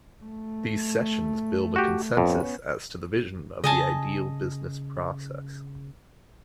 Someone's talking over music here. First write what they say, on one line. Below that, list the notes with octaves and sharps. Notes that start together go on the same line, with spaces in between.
These sessions build a consensus as to the vision of the ideal business process.
A3
F#4 G4
F2 B3 C#4
C#3 D#5 G#5 A5